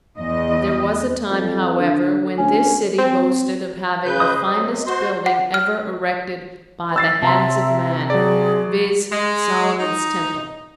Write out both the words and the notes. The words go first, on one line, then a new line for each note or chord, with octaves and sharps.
There was a time, however, when this city boasted of having the finest building ever erected by the hands of man, viz: Solomon's Temple.
E2 D#5
F2
D3
D2 C#4
C4
C#3 B4 G6
C5 D#5 D#6
C3 F#3
F#4 C5 C6
F#5
F6
E6 A6 C7
C3 E5 A5 A#5 C6
F#3 G#4 D5
G#3
D#4